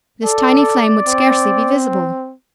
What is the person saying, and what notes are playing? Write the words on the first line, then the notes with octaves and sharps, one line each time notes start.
This tiny flame would scarcely be visible.
A4 D5
C4